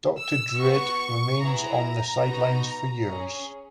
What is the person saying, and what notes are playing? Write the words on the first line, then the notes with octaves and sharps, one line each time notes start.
Doctor Druid remained on the sidelines for years.
E6
B3 F#4 C#6
B3 E4 G#4 A#5
B3 D#4 F#4
C#4 G#4